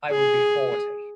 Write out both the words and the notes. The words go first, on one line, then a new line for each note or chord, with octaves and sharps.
I will be forty.
G#4